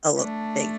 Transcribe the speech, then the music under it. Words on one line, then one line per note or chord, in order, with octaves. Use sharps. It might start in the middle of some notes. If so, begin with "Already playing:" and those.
a litt big
A3 D4